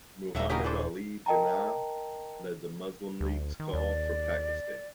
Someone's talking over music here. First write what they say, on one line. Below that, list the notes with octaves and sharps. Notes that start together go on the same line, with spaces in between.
Muhammad Ali Jinnah led the Muslim League's call for Pakistan.
D#1 E2 F#3 A3 C#4 D#4 E5
F#2 C#3 E3 D4 D#4 G4 G#4 A#4
E3 D4 E4 A4 C5
A#4 D#5 G5 A5 A#5
D2
D#3
D#2 D5